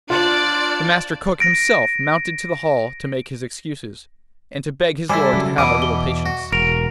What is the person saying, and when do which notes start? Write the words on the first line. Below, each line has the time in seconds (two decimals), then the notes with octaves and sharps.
The Master Cook himself mounted to the hall to make his excuses, and to beg his lord to have a little patience.
0.10 D4 F4 C5 D5 A5
1.40 A#6 D7
5.10 G3 A3 E4 A4 C5 G#5 D6
5.33 C#3 F#3
5.58 E2 B2 E3 F#5 B5 D6 D#7
5.82 G7
6.26 F#4
6.52 E1 A#4 A#6 D7 F7